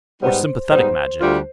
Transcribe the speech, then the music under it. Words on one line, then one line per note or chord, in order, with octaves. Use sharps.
"Or sympathetic magic?"
G#2 G3 B3 D#4 C5
G#2 G3 B3 D#4 C5
D2 D3 G3 D4 F4